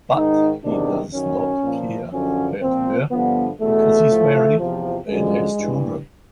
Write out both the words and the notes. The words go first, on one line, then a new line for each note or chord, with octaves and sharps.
But he does not care about her because he is married and has children.
G#2 D#3 D#4
E2 C3 D#3 D4
F#2 D#3 C#4
A#2 F3
F#2 D3 F3 C#4
A#2 F3 C4
G2 D3 F3 B3
E2 B2 A3
A2 F3
E2 C3 F3
F#2 D3 F3 G#3
G2 E3